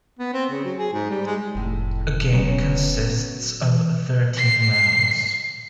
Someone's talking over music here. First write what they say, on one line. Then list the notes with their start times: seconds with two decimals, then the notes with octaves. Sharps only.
A game consists of thirteen rounds.
0.19 B3
0.34 C4
0.51 C#3
0.65 F#3
0.79 G#4
0.93 G#2
1.10 G3
1.26 G#3
1.55 F1 F2 A2
2.32 F#3 B3 C#4
3.61 E3
4.37 C7